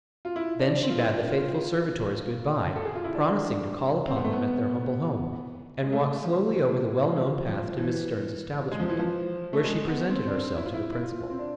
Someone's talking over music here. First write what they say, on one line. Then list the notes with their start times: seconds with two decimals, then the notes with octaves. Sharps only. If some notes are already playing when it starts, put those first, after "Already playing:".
Then she bade the faithful servitors good-bye, promising to call upon them at their humble home, and walked slowly over the well-known path to Miss Stearne's establishment, where she presented herself to the principal.
0.25 F4
0.36 E4
0.59 D4
0.83 C4
0.90 F4
0.98 E4
1.05 D4
1.28 F4
2.76 A4
2.85 G#4
2.95 F4
3.04 E4
3.15 D4
4.07 C4
4.16 B3
4.24 A3
4.33 B3
5.83 G#3
5.92 A3
6.24 F3
6.54 E3
6.86 E3
7.09 G#3
7.16 F3
7.47 F3
7.78 E3
8.72 G#3
8.80 F3
8.89 E3
8.99 F3
9.53 A3
9.64 G#3
9.87 B3
10.10 C4
10.28 D4
10.34 C4
10.57 E4
10.66 F4
10.74 E4
10.92 E4
11.03 F4
11.30 C4
11.39 D4